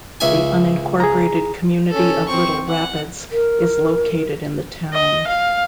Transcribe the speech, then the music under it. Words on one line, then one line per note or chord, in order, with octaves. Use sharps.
The unincorporated community of Little Rapids is located in the town.
C#2 E5 G#5
G#4 A#5
C#4 A4
C4 C#6
F#5
A#4
D#5
F5